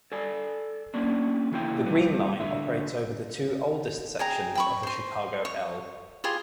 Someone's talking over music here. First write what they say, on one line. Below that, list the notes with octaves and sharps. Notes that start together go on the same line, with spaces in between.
The Green Line operates over the two oldest sections of the Chicago "L".
A4 D5 G#5
A#3 C#4 D4
C#3 E3 A3 A#3 E4 G5
G3 B4
D3 E5
G#4 G5 A#5
G5 B5 C#6
C5 C6
C#5
F4 G4 G#4 C6